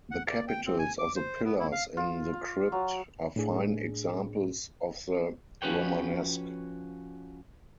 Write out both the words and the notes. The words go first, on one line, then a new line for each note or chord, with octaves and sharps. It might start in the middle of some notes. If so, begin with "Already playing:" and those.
The capitals of the pillars in the crypt are fine examples of the Romanesque.
F#5
D5
G5
C4
G#5
D6
C5
B3
E4
F5
F4
F4
F#3
A2 D4 G#4
F3 C#4 F#4 B4 C#5 G5